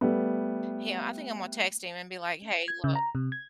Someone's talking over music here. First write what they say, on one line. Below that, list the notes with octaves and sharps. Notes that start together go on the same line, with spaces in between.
him I think I'm gonna text him and be like, "Hey, look"
G3 A3 B3
G#6
C#3
A#5
C3
G#6